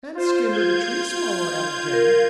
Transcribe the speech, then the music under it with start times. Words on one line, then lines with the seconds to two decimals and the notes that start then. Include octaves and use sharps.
"And Skimmer the Tree Swallow," added Jenny.
0.15 F4 C5
0.52 F4 G6 G#6
1.93 A#4